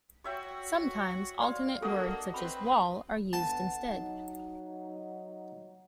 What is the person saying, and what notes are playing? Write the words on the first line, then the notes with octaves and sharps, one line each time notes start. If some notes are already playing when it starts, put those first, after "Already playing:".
Sometimes alternate words, such as "wall," are used instead.
F#4 C#5 E5 G5
D5 F5 C6
A#3 D4 F#4 A4 D#5 F#5 D#6
C4 B4 B5
B2 D3 B3 F#5 A5
F#3 D#4